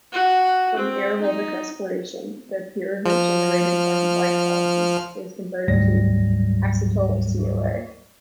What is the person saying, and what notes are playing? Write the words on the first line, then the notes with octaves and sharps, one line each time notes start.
In aerobic respiration, the pyruvate generated from glycolysis is converted to acetyl-CoA.
F#4
C4
D#4
F3 F6
D2 G#2 F#3 G3 A#6